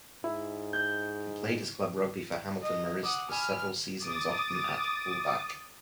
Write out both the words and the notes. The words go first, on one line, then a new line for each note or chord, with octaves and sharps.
He played his club rugby for Hamilton Marist for several seasons, often at fullback.
G#2 E4
G6
D#5
F#5 D6 D#6
G#5 B5 F6
D6 D#6 A6